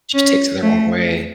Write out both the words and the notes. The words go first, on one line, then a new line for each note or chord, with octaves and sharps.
She takes it the wrong way.
C#4
A3